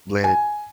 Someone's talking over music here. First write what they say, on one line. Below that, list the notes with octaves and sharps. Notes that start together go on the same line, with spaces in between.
let it
G#5